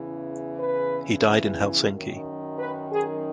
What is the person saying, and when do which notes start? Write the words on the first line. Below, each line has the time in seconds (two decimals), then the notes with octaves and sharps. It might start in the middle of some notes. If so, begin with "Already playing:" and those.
He died in Helsinki.
Already playing: E2 C#3 E3
0.58 B4
1.92 F#2 D#3
2.58 B4
2.92 G#4